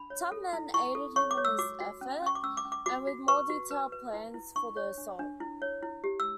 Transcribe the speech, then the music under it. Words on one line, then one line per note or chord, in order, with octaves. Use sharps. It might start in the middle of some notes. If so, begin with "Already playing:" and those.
Tubman aided him in this effort, and with more detailed plans for the assault.
Already playing: D4 B5
C#5
A4
E4
E4 C#6
A4
C#5 C#6
D6
C#5
E6
F#4 D6
F#4
C#4
C#4 C#6
D6
C#4 E6
D6
C#4
D6
F#4 D6
F#4
B4 C#6
F#4
B4
B4
E4
E4
D4 C#6
C#5
D4
D4
E4
C#5
E4
G4
E6